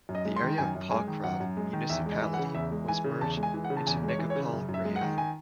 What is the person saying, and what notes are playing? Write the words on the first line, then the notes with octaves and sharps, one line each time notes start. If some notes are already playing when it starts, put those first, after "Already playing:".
The area of Pokrov Municipality was merged into Nikopol Raion.
F#2
D#5
G#3
C6
D#3
F#2 G#5
F#2
G#3 G#5
D#3
F#2 F#5
F#2
G#3
D#3
E2 E5
G#3
D#5
E3
F#5
C#3
E2 E5
G#3
E3 G#5
C#3
E2 A5
G#3
G#5
E3
F#5
C#3
A5
E2 G#5
G#3
C#5
E3
C#5
C#3
F#2
F#2
E5
G#3
F#5
D#3
G#5